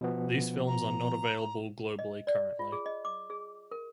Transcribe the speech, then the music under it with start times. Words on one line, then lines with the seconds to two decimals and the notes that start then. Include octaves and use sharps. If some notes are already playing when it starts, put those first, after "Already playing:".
These films are not available globally currently.
0.01 B2 F3 B3
0.67 A#5
1.99 D#5
2.27 D5
2.59 F4
2.72 G#4
2.86 D#5
3.05 D6
3.30 G#4
3.71 A#4